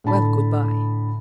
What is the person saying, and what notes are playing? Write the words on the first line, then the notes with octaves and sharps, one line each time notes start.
Well, good-by.
A2 D3 A5 B5